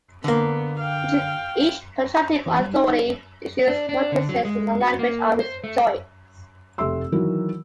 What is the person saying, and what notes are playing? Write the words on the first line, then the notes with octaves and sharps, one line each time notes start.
Each contracting authority issues notices in the language of its choice.
D3 A#3 B3
F5 G5
E3
G3
D#4
D4
D4
D3
F#3
G#3
F#4
A#3
C5
A3
F1 A3 G4 E5 C6 E6
D#3 E3 F#3 E4 F#4 A#4